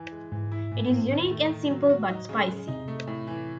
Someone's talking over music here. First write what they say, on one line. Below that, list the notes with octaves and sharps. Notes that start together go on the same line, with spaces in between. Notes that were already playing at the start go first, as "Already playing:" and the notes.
It is unique and simple but spicy.
Already playing: E3
G#3
G#2 E3
E4
A2 E3
C4
D#3
A3
D#3
F#3
F#4
D#4
C#3
G#3
C3 D#4
A3
A2
E3